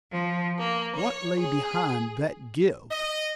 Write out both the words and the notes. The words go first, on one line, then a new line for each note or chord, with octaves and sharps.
What lay beyond that give?
F3
A#3
C#5
G#4
D#5